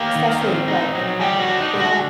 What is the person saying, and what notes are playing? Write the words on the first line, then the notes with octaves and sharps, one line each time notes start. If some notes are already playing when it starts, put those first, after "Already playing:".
especially, like, at work, like, they don't
Already playing: A#3 G4
D#3
C4
D#4
F#3
G3 G4
F#4
D4
D#4
D3
F#4